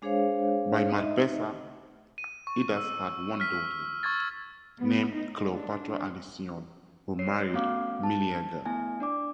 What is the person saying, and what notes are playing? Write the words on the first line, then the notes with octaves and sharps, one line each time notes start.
By Marpessa, Idas had one daughter named Cleopatra Alcyone who married Meleager.
G#3 D4 G#4 C5 C#5 F5
D#4 D#5 E5
D#7
C#6
E6
F6 B6
C#6 E6 G#6 A6
B3
D#4
D4
C#5 C7
A3 B3 C#4 F#4 F5 D6
A5
A3 B3 E4 G#5
D4 D5 D6